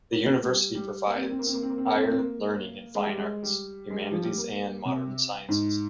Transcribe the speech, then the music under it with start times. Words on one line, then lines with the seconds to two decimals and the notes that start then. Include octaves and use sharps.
The university provides higher learning in fine arts, humanities and modern sciences.
0.12 A#3
0.43 G3
0.75 G3
1.07 A#3
1.14 C4
1.22 A#3
1.30 C4
1.39 A#3
1.47 C4
1.54 A#3
1.63 C4
1.70 A#3
1.78 C4
1.86 A#3
1.94 C4
2.02 A#3
2.10 C4
2.18 A#3
2.95 G#3
3.06 G3
3.18 G#3
3.43 G3
3.90 G#3
4.01 G3
4.12 F3
4.23 G3
4.38 A#3
4.85 C3
5.48 G#2